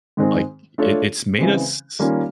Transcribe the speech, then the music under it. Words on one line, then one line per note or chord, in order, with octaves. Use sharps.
like, it it's made us s
G#2 D#3 G#3 C4
A3 D4 F4 A4 C#5
C#3 E3 G#3 C4
D#3 G3 A#3 C#4 F4